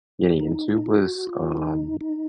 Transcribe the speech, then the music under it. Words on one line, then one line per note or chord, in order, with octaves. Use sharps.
getting into was, um,
D#4
E4
D#4
E4
F#4
F4
E4
D#4
D#4